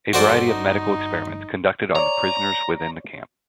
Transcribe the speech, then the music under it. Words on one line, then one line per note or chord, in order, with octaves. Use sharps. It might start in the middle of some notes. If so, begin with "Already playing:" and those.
A variety of medical experiments conducted on the prisoners within the camp.
G1 G2 F#4 A4 C5 D5
D#4
C#5 D5 A#5